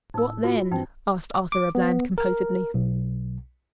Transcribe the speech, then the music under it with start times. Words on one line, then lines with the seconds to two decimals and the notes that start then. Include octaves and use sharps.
"What then?" asked Arthur-a-Bland, composedly.
0.14 A2 D#4 E6
0.44 F4 F#4 D#5
0.71 G2 E3 C4 D#4 G5
1.52 D6
1.75 B3
2.18 A#4
2.74 B1